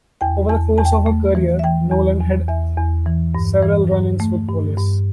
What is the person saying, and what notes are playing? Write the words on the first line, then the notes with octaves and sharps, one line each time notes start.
Over the course of her career, Nolan had several run-ins with police.
E2 G5
E2 A5
E2 A5
G5
A5
A3
E3
E5
E3 G5
E2
E2
E2 E5
E2
E3
G2
E3
G2
A3
G2
G2